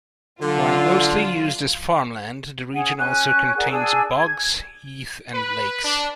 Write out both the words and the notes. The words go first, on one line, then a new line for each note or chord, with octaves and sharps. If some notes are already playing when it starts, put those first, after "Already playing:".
While mostly used as farmland, the region also contains bogs, heath and lakes.
D3 F#3 F4
C#4 G#4 F#5
C#4 G#5 F#6
G#4 A#4 D5 F#5
D4 G#4 G#5 E6
G#6
B4
D4